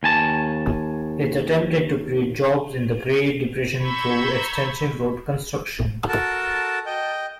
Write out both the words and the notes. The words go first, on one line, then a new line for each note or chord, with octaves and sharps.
It attempted to create jobs in the Great Depression through extensive road construction.
D#2 G#5 A5
A#5 B5 C#6 E6 G6 G#6
F#4 A4 A#4 A5
D#5 G5